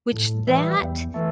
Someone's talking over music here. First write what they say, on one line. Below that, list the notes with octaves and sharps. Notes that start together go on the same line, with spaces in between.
which that
A2
E3 G3
E2
E3 A3